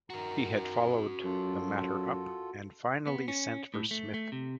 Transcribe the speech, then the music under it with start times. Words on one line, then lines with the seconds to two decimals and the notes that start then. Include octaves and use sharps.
He had followed the matter up and finally sent for Smith.
0.10 D#3 F#4 A#4 A#5
1.24 F#2 F4 A4
3.07 B3
3.28 C#4
3.74 A2
3.91 A3
4.14 A3
4.32 C3